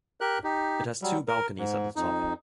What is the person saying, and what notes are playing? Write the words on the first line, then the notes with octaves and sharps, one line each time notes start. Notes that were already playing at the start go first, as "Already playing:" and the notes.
It has two balconies at the top.
G4 A#4 F#6
D#4 G4
F#3 G3
A#4
G#2
F2 D#4